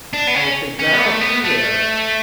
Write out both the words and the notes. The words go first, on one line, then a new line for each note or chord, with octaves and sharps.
and if they barrel through there,
D4
B3
C#4
C#4
B3
A3
B3
A3